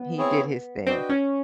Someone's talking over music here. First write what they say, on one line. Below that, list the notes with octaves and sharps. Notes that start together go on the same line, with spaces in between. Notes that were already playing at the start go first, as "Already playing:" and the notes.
he did his thing,
Already playing: B3
C4 E4 G#4 C#5
C4 D4 F#4 B4 D#5 G5
C#4